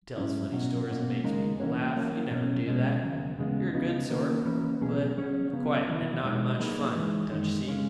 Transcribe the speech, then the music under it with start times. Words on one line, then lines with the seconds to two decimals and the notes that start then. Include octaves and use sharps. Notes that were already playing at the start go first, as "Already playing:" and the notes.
She tells funny stories and makes people laugh; you never do that--You're a good sort, but quiet and not much fun, don't you see?
0.16 G#2 F#3 C#4 E4
0.52 B2 F#3 C#4 F#4
0.88 B2 A#3 C#4 F#4
1.24 D#2 C#3 G#3 D#4 A#4
1.60 E3 A#3 C#4 F#4 C#5
1.95 F#3 A#3 C#4 F#4
2.31 B2 F#3 C#4
2.67 B2 G#3 C#4
3.03 D#2 C#3 F#3
3.38 E2 C#3 G#3 B3
3.74 C#2 C#3 F#3 B3 D#4
4.10 D#3 A#3 C#4 F#4
4.45 E3 A#3 C#4 F#4 B4
4.81 C#2 B2 F#3 C#4 G#4
5.17 F#3 C#4 G#4 C#5
5.53 C#3 F#3 B3
5.88 E2 D#3 F#3 B3 E4
6.24 B2 G#3 D#4 F#4 C#5
6.60 F#3 A#3 D#4 G#4 B4
6.95 E3 G#3 D#4
7.32 F#2 D#3 G#3 D#4
7.67 C#3 G#3 C#4